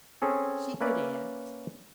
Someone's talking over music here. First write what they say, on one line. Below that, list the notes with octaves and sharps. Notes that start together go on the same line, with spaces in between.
She could act.
C4 C#4 G#4 A4
A#3 C#4 B4 D5 E5